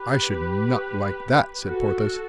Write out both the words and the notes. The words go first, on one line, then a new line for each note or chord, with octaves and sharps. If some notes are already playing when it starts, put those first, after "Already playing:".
"I should not like that," said Porthos.
Already playing: G4 B4
F#4 A4